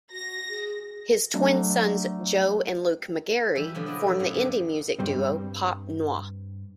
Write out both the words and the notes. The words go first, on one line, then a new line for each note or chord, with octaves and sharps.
His twin sons, Joe and Luke McGarry, form the indie music duo Pop Noir.
F#4 A#6
G#4
F#3 A3 D4
E3 G3 E5 A5
B2 D3 F3 F#3
D4 E4 D#5 B5
F3 C4
F#2 A2 B3 F5 F#5
D3 F3 D4
G2 G3 C4